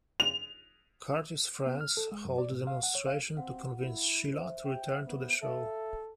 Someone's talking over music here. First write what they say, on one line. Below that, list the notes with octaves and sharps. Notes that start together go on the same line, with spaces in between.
Curtis' friends hold a demonstration to convince Sheila to return to the show.
F7
B3
F6
A4
G#3
F#2
D5
A2
F5
F#5
C#5
F5
C4 F5 F#5
E4
C5 E5
G5
B3
A4 E5 F5